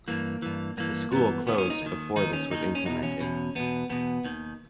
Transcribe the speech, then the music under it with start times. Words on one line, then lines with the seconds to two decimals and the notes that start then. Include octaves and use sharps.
The school closed before this was implemented.
0.08 G2 E3 A#3
0.42 G2 E3
0.77 G2 E3 A#3
1.12 G2 E3 B3
1.47 D#2 D#3 B3
1.58 C#4
1.70 D#4
1.82 D#2 D#3
2.16 D#2 D#3 D#4
2.33 C#4
2.51 D#2 D#3 D#4
2.75 C#4
2.85 E2 B2 D#4
3.03 C#4
3.21 E2 B2
3.55 E2 B2 B3
3.90 E2 B2 B3
4.25 D#2 D#3